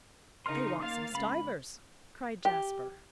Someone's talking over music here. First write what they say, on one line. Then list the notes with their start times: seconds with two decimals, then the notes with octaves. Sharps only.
"They want some stuivers," cried Jasper.
0.46 C#3 D#4 A#4 C6 F6
0.79 A#3 F5 A6
1.15 C#2 B5
2.45 G4